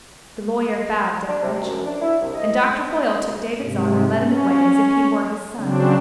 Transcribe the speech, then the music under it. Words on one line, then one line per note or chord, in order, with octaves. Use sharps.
The lawyer bowed deferentially, and Doctor Hoyle took David's arm and led him away as if he were his son.
D4
C3
F#2
D4
E4
C2
D#5
G#2 C3
C#4
C#3 F#3 C4 D4